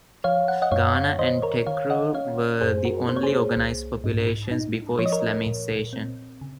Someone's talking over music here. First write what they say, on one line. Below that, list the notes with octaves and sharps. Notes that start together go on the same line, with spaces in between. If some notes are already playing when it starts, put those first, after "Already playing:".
Ghana and Tekrur were the only organized populations before Islamization.
F3 C#5 F5
F#5
D#5 F#5
F#2 C#5 F5
C#5 F5
D#3 C5 D#5
A#4 C#5
D#3 C#5 F5
D#5 F#5
C#4 C#5 F5
F#2 G#4 C5
F#4 A#4
A#3 C5
C#5
G#4 C5
C2
G#2
D#4
F3 C#5
D#5
A#4 C#5
A#2
C4
C#3